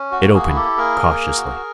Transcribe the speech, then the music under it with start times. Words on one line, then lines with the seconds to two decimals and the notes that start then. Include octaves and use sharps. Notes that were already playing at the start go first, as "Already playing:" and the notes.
It opened cautiously.
Already playing: C#4
0.11 F#4
0.19 A#3
0.34 F#4 G#4
0.49 E4
0.56 G4 A4
0.78 A#3 G#4 A#4
1.07 A#3
1.37 F#4